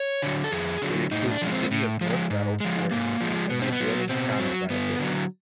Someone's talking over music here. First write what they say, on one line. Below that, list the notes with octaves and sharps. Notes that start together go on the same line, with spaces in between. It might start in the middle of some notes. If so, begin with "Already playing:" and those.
It includes the city of North Battleford and the adjoining town of Battleford.
Already playing: C#5
D3 F#3
A4
F2 G#4
D3 F#3
A2 D#4
D4
F3 G#3 C#4
C4
A2
F3 G#3
G#2
F3 G#3
G#2 A#3
F3 G#3
B2 B3
C4
B3
F#3
B2 C4
F#3
G2 B3
D3 F#3